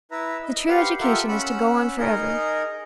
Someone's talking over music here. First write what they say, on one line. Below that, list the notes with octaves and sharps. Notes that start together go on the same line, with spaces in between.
The true education is to go on forever.
E4 B4 E5 A#5
D#5
G4 B4 C5 F5 F#5
F4 G4 A4 A#4 E5 F#5
C#4 F#5 B5 E6 F#6
D#4 G#4 A#4 D#5 A#5